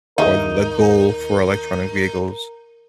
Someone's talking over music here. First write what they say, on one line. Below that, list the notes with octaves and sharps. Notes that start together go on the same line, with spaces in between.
Or, the goal for electronic vehicles.
D#2 D#4 G#4 A#4 E5 F5